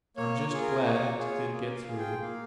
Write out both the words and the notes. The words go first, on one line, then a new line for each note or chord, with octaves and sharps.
"I'm just glad it did get through."
A#3 C#5
C#5
F4 G#4
A#4
A#3 C#5
F4 G#4 C#5
A#3
F5
F4 G#4
G5
A#3 F5